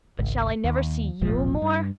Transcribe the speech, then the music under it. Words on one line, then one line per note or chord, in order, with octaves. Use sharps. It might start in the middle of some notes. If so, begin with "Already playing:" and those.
But shall I never see YOU more?
G#1 C#2
D#2
D1 G#1 A#2 F3
G2